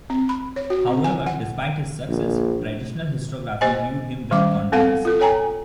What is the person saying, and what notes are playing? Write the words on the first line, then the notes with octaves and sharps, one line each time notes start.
However, despite his success, traditional historiography viewed him with controversy.
C4
B5
C#5
F#4
C4
G#5
F#5
A#1
A#3 G4 C5 D#5 G#5
D#3 G3 A3 C#4 D#5 D6
B3 C4 A4 F5 F#5
F4 A4
A4 C#5 G5 G#5 A#5